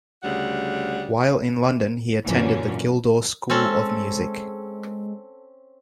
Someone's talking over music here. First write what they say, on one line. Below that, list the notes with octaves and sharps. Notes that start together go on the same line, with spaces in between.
While in London he attended the Guildhall School of Music.
D2 C#3 G3 F#5
F#2 A#2 D3 E3 C#4
G#3 C4 C#4 A4